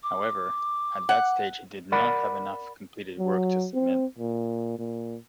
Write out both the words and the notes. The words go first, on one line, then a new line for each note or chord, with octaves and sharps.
However at that stage he did not have enough completed work to submit.
D6
F#5
A#4 D5 F#5 B5
F#3
C4
A#2
A#2